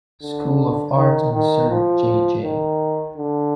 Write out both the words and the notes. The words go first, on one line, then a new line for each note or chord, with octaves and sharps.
School of Art and Sir J. J.
D3
D#3
D#3
F3
D#3
D3